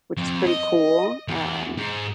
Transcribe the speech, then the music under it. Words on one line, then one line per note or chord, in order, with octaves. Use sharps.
which is pretty cool. Um,
F2
D#5
E2
G#2